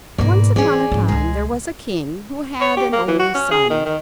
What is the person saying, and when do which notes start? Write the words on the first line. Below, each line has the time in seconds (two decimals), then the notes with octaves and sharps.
Once upon a time there was a king who had an only son.
0.18 E2 G#2 B2 A#3 D5
0.56 E3 C#4 G#4 D5
0.92 G#2 F3
1.08 C#2 B2 G#3 G#4
2.61 C#5
2.76 G4
2.92 A#3
3.08 E3
3.19 F#4
3.34 C#4
3.51 G#4
3.70 D#3
3.85 D#3